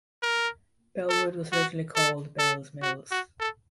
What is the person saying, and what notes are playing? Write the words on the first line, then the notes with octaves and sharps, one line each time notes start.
Bellwood was originally called Bell's Mills.
A#4
A4
F#4
A4
A4
F#4
F#4
A4